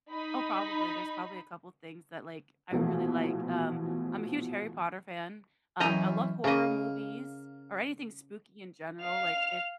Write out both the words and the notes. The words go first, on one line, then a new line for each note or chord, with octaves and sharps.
Oh, probably, there's probably a couple of things that, like, I really like. Um, I'm a huge Harry Potter fan, um, I love horror movies or anything spooky in general, like, if
D#4 B5
A#1 B2 E3 F3 A3
F#2 E3 D#5 G5 A#5
C#3 A#3 D#5
F5 F7